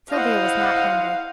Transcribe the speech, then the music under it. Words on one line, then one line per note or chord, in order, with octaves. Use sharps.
Sylvia was not hungry.
E4 C5 D#5 F5 F#5